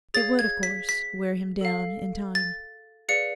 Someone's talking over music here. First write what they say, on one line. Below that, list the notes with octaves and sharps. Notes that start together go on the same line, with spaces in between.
It would, of course, wear him down in time.
G#4 C#5 F5 A6
G#6
B6
B6
A4 F5
A6
G#4 B4 D5 F5 C#7